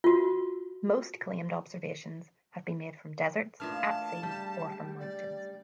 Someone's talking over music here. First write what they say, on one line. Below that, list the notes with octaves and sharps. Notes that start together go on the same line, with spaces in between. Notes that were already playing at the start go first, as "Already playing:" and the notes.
Most claimed observations have been made from deserts, at sea, or from mountains.
F4 F#4
E3 A3 A#3 D4 F4 A5 F6
C#3 G3
D5